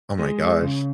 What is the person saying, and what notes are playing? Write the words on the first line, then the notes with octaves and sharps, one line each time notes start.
Oh my gosh.
G#3
C#3